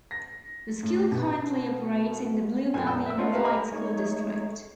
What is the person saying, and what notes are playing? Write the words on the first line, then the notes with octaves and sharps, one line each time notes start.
The school currently operates in the Blue Valley Unified School District.
A#6
A2
B2
A#1 F2 G#5
A#2 G5 E6
E5 E6
A3 C#4 F4 C5 D#5 F#5
G4 A#4 B4 E5 F5
D#5 G#5 A#5 B5 D6 F6
G#3 A3 D#4 C#5